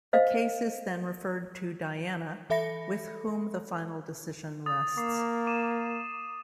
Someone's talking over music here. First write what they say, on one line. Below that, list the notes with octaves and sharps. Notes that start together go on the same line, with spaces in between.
The case is then referred to Diana, with whom the final decision rests.
C5 D#5 F5
E3 A4 E5 B5 A#6 C#7
D#6 A6
A#3 D6 C7
D6 D#7 E7